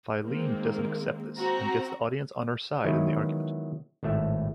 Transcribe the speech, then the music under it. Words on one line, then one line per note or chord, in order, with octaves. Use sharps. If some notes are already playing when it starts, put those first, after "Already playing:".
Phileine doesn't accept this and gets the audience on her side in the argument.
D#3 G#3 A#3 C4
C4 F#4 A#5
D#3 E3 F#3 G#3 B3 E4
G#1 A2 A3 E5